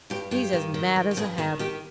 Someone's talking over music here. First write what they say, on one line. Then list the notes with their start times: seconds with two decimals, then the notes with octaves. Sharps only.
He's as mad as a hatter.'
0.10 G2 G4
0.31 G2 G4
0.53 D#3
0.74 D#3
0.96 D#3
1.11 G4
1.17 G2 G#4
1.38 D#3 G#4
1.59 D#3 G4